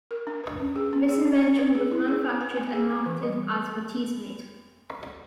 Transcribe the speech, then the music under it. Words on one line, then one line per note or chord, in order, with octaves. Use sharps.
This invention was manufactured and marketed as the Teesmade.
A#4
D4
B4
C#4
G#4
C#4
G#4
C#4
C#4
B4
G#4
E4
G#4
B3
B4
B3
G#4
B3
E3
G3